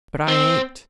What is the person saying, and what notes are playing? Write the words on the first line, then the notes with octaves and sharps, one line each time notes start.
"But I ain't."
C4